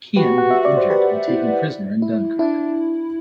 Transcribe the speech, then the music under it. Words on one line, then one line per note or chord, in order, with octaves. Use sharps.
Keun was injured and taken prisoner in Dunkirk.
F#4 G4 B4
F#5
E5
D5
C5
G4 B4
E4
E4
D4 E4